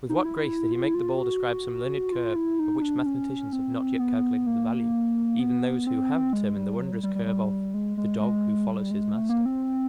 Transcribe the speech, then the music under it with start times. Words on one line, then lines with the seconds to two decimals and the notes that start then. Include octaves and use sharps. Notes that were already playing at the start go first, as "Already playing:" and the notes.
With what grace did he make the ball describe some learned curve of which mathematicians have not yet calculated the value--even those who have determined the wondrous curve of "the dog who follows his master!"
0.09 D#4
0.25 E4
0.72 F4
0.83 E4
0.94 F4
1.18 F#4
2.12 F4
2.36 E4
2.59 D#4
2.82 D4
3.06 C#4
3.53 C4
3.99 B3
4.46 A#3
5.40 B3
5.87 C4
6.33 G#3
6.56 G3
6.80 F#3
6.92 G3
7.03 G3
7.15 G3
7.26 G3
7.74 G#3
7.97 G#3
8.20 G#3
8.67 G3
8.91 G#3
9.14 A3
9.29 A#3
9.46 C4